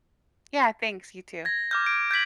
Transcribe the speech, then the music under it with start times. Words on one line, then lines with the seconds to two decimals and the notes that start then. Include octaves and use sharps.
Yeah, thanks, you too.
1.45 G#6 A#6
1.71 D6 F6 G6
1.86 D7
2.11 G6 G#6 B6 F#7